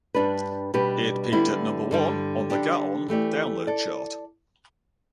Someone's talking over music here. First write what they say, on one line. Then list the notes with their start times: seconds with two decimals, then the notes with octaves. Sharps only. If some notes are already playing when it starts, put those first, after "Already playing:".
It peaked at number one on the Gaon Download Chart.
0.15 G2 G3 D4 B4
0.74 B2 G3 D4 G4 B4
1.32 D3 G3 B3 E4
1.91 G2 D3 G3
2.50 D3 G3 D4 G4
3.08 E3 A3 G4 D5
3.67 A4 D5